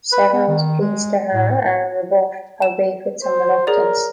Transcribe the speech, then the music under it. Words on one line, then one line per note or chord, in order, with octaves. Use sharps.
Severo's pleas to her are rebuffed, albeit with some reluctance.
B4
B3
D#3
G#3
A2
E7
C5
G#4 A#4 C#5 D5